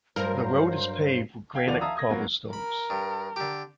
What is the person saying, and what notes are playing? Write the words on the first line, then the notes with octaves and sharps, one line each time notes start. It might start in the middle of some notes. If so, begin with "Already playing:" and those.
The road is paved with granite cobblestones.
G2 F#3 A#4 C5
F5 G5 G#6
D#2 F3 D5 F#5 F7
E5 F5 A5 A#5 D#6 E6
D#6 G#6 A#6
F#3 A#3 B3 F4 F#4 A#4
A#4 B5
G2
D3 G4